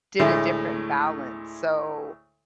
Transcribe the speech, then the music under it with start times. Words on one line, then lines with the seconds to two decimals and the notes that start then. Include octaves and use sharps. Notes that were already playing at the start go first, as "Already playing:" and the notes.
did a different balance. So,
0.19 D2 A2 G#3 A3